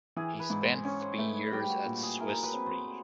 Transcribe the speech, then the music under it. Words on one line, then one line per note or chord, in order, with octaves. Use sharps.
He spent three years at Swiss Re.
E3 G#4
B4
G#2
C5
C#4 C#5
C5
A3 B4
G3 G4
F#4
A#2
G#4
E4 A#4
B4
C4
C5